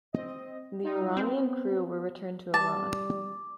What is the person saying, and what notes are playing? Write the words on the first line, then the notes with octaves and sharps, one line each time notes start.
The Iranian crew were returned to Iran.
C4 D#5
G3 D#4 F4
B3 C4
G3 A5 D6